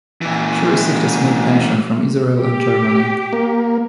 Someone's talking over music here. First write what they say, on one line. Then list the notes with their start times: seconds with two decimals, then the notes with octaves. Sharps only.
She received a small pension from Israel and Germany.
0.21 A#2 E3
2.39 G4
3.33 A#3